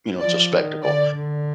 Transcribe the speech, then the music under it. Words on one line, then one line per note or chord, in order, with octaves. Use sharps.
you know, it's a spectacle.
F3 D5
D#3
D3 D5
D3